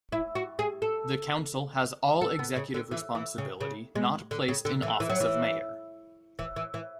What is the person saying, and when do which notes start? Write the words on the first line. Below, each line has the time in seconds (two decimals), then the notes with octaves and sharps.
The Council has all executive responsibility not placed in office of mayor.
0.12 E4
0.35 F#4
0.59 G#4
0.82 A4
2.21 A4
2.39 B3
2.56 C#3
2.74 D3
2.91 E3
3.15 E3
3.38 C#3
3.61 C#3
3.95 G#3
4.31 D3
4.48 C#3
4.65 D3
4.83 E3
5.00 E3
5.10 F#3
5.20 E3
6.39 E3
6.56 E3
6.74 E3